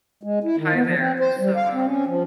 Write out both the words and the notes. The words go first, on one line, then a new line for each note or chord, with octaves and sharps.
Hi there. So, um,
G#3
E4
D#3
B3
F3
C4
C5
G3
F5
C4
C#4
F3